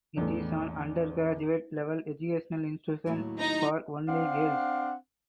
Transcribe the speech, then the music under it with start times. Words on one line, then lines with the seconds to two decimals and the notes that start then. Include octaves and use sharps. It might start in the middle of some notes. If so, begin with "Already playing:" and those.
It is an undergraduate level educational institution for only girls.
0.17 A1 E2 D3 E3 A3
3.06 D#2 A2 F#3
3.39 D#4 A#5
4.08 C4 D4 F5 F#5